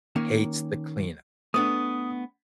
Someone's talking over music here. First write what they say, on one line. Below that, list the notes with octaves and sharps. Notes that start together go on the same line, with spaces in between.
hates the cleanup.
D#3 A#3 C#4
A3 B3 D4 D#6